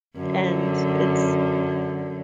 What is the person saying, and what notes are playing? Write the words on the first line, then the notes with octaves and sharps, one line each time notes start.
and it's
F#2 D3